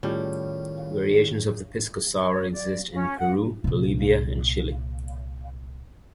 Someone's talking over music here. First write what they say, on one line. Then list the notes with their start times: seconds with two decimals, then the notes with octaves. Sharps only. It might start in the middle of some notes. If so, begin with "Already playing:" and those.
Variations of the pisco sour exist in Peru, Bolivia, and Chile.
0.03 A2 D#3 G3 C#4 F4 G4 G#4
2.26 C#5
2.52 D5
2.94 C#4
3.18 F#5
3.64 C2 A#2